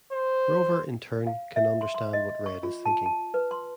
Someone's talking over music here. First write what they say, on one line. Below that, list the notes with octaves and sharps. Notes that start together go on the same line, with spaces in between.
Rover, in turn, can understand what Red is thinking.
C5
F5
E5
C6
C6
D#5
C#6
F4
A5
A5
B4
C6